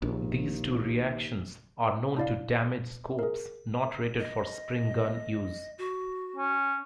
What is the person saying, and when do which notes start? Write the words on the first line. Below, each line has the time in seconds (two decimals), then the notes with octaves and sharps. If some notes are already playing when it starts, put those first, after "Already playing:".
These two reactions are known to damage scopes not rated for spring gun use.
0.02 A#1 D#2
2.17 D4 E4 D5 F5
3.19 G#4 A#4
4.20 D#5
5.78 F#4
6.36 C#4